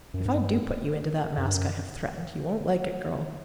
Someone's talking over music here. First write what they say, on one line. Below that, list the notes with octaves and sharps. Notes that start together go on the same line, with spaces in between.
If I do put you into that mask I have threatened, you won't like it, girl.
F#2
G2
F#2
G2
F#2